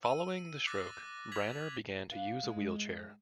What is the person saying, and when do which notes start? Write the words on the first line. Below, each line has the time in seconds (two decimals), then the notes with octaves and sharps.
Following the stroke, Branner began to use a wheelchair.
0.03 E6 D#7
0.67 D6 F#6 A6 A#6
1.32 G#6 B6 F7 F#7
2.11 B3 D4 F5
2.43 G#2 G#3